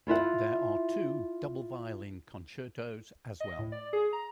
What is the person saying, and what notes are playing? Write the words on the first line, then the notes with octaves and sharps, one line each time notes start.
There are two double-violin concertos as well.
E4 F4 E5 F#5
D#5
A2
D5
G#4
A#5